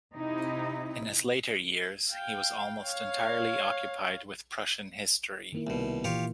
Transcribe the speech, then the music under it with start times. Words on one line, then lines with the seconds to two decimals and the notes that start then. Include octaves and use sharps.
In his later years he was almost entirely occupied with Prussian history.
0.13 C3 D#4 E4
2.10 F5 G5
2.82 C#5 F5
5.52 D#3 A#3 E4
5.67 C2 B2
6.04 A#2 E3 F4 G4 C#5